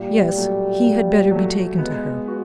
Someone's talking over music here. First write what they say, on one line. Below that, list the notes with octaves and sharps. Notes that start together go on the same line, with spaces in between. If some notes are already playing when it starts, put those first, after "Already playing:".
Yes; he had better be taken to her.
Already playing: A#2 G3
F#3 A3
A#2
F#3 A3
G#3 B3
F#4 B4